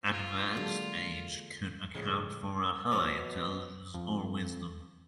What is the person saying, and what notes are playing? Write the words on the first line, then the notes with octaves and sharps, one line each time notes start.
Advanced age could account for a high Intelligence or Wisdom.
F4
D3 F#3 G#3 A#3
A2 C#3 F3 G#3
B2 F3 C#4 D5
F2